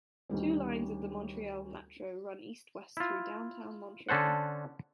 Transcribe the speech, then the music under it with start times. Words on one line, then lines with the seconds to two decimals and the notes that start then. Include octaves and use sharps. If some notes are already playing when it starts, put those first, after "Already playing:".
Two lines of the Montreal Metro run east-west through Downtown Montreal.
0.29 D2 D#3 G3 C#4
2.97 E4 F4
4.09 D3 C#4 A4 C5 F#5